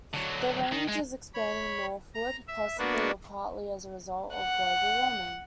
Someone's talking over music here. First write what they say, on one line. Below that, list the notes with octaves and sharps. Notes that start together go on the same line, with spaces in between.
Their range is expanding northward, possibly or partly as a result of global warming.
D3 F#3
D#3 D#4
G#3
C#5 B5
A#5
E5
A#3 B3 D4 F#4
F#5